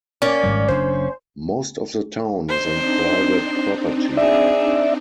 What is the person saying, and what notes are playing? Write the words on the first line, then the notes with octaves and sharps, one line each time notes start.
Most of the town is on private property.
A#3 C#4 D5
G#1 G#2 G3
F#1 D4 C5
C4 D4 D#4 C5
G#4 D5 E5